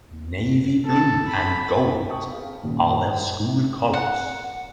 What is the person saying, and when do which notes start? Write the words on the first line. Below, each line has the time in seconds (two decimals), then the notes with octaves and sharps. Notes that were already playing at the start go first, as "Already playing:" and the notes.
Navy blue and gold are their school colors.
0.86 A4
1.28 B5
2.08 F#5 G5 A5 C#6 D#6
2.31 G#4 F5
2.63 D#2 A#2 C#3 G3
3.93 F#5